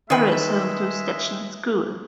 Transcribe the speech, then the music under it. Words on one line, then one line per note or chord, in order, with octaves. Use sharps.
Barre is home to Stetson School.
D#3 G#3 G#4 B4 E5